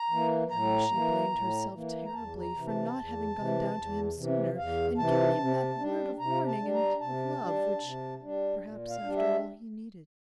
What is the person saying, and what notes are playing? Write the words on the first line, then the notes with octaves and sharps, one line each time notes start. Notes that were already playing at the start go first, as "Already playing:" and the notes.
Now she blamed herself terribly for not having gone down to him sooner, and given him that word of warning and of love which, perhaps, after all, he needed.
Already playing: A#5
E3 A#3
A2 A#5
E3 A#3
A2
E3 A#3
A#5
E2 A5
A#5
C3 E3
A5
E2
C3 E3
E2
C3 E3
E2 F5
C3 E3 A5
C3
G3 D4
C3 A#5
A5
G3 D4
A#5
C3 A5
G3 D4
C3
G3 D4
A#2
F5
G3 D4
E5